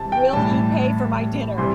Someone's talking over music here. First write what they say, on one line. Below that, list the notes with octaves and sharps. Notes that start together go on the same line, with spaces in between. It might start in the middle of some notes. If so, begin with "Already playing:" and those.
"Will you pay for my dinner?"
Already playing: C3 E3 A5
G5
A2 E3 G3 A5
C3 E3 G3 C6